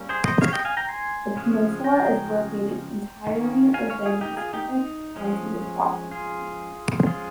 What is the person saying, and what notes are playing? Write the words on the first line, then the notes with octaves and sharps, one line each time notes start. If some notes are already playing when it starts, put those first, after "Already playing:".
The peninsula is located entirely within Pacific County, Washington.
Already playing: G3 A#3 C#4
G#4 C5
C5 D#5
C#5 F5
D#5 G5
F5 G#5
G5 A#5
G#5 C6
C#3 F3 G#3 C#4
G5 A#5
D#3 A#3 C#4
F5 G#5
C#5 F5
F4 G#4
D#4 G4
F4 G#4
D#4 G4
D#4
F3 G#3 C#4
F4 G#4
F3 G#3 C#4 F4 G#4